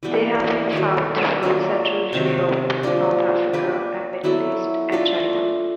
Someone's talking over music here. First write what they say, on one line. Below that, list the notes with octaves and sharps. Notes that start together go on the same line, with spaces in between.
They have been found throughout central Europe, North Africa, the Middle East and China.
E3 G3 B3
D#3 F#3 A3
F#3 A#3 D4 F4
C3 D#3 F#3
F3 A#3 D4
A#3 D4 G4 B4
F#3 B3 E4 A4
A3 D4 F4 A4